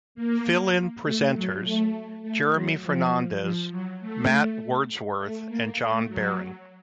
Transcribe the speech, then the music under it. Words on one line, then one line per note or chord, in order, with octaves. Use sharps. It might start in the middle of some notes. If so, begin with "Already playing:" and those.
Fill-in presenters: Jeremy Fernandez, Matt Wordsworth, and John Barron.
A#3
A3
F#3
A3
A3
F#3
F3
F3
F#3
A3
A3
A#3
A3
F#3